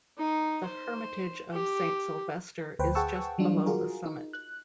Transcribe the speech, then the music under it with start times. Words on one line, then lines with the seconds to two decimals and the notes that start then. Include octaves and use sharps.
The hermitage of Saint Sylvester is just below the summit.
0.18 D#4
0.66 C5
1.52 G4
2.79 D2 B4 C5 G5
2.95 G#4 F#5 G5 A5 C#6 E6
3.38 E3 F#3 G3 D4 F4
3.66 F4 F#4 G#4 A#4
4.06 D#4
4.33 F#6